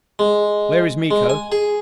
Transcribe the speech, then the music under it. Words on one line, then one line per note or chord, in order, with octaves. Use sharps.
"Where is Miko?"
G#3
G#3
G#5
G#4